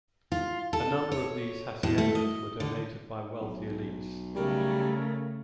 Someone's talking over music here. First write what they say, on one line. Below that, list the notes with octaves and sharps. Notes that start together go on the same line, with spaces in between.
A number of these haciendas were donated by wealthy elites.
F4
A4
C#5
A2
A3
D#5
D3
B1
C#3 G3 A3 A#4